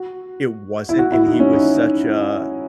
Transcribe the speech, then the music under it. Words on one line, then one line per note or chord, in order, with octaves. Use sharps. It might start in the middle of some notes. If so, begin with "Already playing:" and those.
it wasn't, and he was such a
Already playing: F#4
E4
F#4
E4
D#4
C#4
D#4